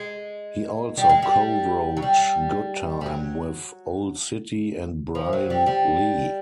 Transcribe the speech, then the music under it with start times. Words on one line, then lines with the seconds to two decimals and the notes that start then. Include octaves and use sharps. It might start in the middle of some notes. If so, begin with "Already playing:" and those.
He also co-wrote "Good Time" with Owl City and Brian Lee.
Already playing: G#3
0.97 G3
1.09 G#3
1.22 G3
1.97 F#3
2.02 G3
3.01 G3
3.06 F#3
5.15 F3
5.33 F#3
5.50 G3
5.66 G3